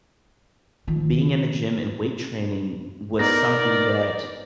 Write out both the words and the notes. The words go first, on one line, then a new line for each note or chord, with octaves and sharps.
being in the gym and weight training was something that
D#3 F3
B3 D#4 A#4 D5 A#6